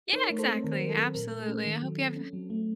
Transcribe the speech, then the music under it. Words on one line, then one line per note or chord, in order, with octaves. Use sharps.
Yeah, exactly. Absolutely. I hope you have
D#4 A#4 C#5
A3
A4 C5
C4
D#3 A#4
C5
F#3 A#4
A4
C4
A#2 A#4
A3
A4
C#4
D#3
F#3
C4
C#4
F#3
A3